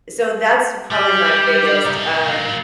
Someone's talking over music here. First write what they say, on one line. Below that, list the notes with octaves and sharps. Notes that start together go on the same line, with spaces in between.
so, that's probably my biggest, um
G3 G4
C2 D#4
F#3 A#3